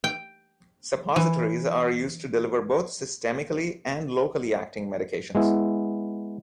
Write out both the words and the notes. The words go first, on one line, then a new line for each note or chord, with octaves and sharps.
Suppositories are used to deliver both systemically and locally acting medications.
G5
E3
G#3 B3 E4